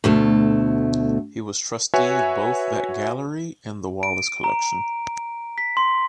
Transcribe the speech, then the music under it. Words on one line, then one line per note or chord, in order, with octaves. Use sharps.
He was trustee of both that gallery and the Wallace Collection.
D2 B2 A3
F#4 B4 C#5 E5 G#5
D7
A#5
B6
C6